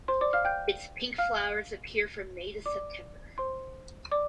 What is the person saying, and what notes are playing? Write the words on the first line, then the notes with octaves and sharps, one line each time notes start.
Its pink flowers appear from May to September.
C5 C6
D5 D6
F5 F6
G5 G6
F5 F6
D5 D6
C5 C6
D5 D6